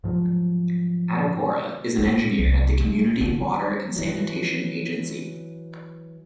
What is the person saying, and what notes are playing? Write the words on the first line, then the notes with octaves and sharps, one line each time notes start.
Atakora is an Engineer at the Community Water and Sanitation Agency.
G#2 F3 F#3
A#3
C2
A3
D3
D#3
E3 F#3